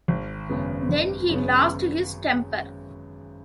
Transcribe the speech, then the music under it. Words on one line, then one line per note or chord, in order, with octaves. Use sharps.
Then he lost his temper.
G#1
F#2 C#3 G#3 B3
G#1
F#2 C#3 G#3 B3